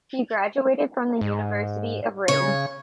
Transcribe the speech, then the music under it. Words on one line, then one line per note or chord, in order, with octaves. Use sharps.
He graduated from the University of Rennes.
G#2
C#3 C#5